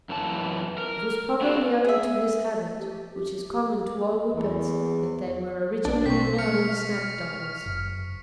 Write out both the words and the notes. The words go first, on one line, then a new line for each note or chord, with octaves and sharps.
It was probably owing to this habit, which is common to all Whippets, that they were originally known as Snap-Dogs.
F#2 E3 A5
A#4
B3 D4 F4 F#4 G#4
G#4 E5
G4
E2
A#1 A3 D4
B2 G3 C4 C#6 B6
F6 C#7
F#1